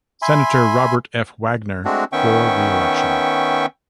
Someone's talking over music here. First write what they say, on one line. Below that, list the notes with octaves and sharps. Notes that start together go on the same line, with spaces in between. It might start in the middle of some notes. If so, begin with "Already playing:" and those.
Senator Robert F. Wagner for re-election.
E5 G#5 B5 C6
G#3 A3 C4 D4 F#4
D#3 B3 C#4 E5 G5 C#6